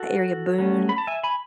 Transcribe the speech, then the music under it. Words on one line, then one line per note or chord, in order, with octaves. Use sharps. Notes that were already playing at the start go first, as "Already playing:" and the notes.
area, Boone,
Already playing: F#4 A4
F#3 A3 C#4
B5
A5
E5 G#5
G#5 B5